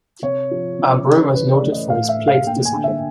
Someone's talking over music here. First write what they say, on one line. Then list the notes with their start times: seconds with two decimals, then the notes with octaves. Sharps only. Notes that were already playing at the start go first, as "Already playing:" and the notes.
Abreu was noted for his plate discipline.
0.22 C3 C#5
0.51 F3
0.79 C#3
1.06 C#3
1.34 E3 B4
1.53 D5
1.62 A3
1.72 D#5
1.90 A2 F5
2.09 E5
2.19 A3
2.28 F5
2.47 A#3 G5
2.65 G#5
2.75 D3
2.84 E5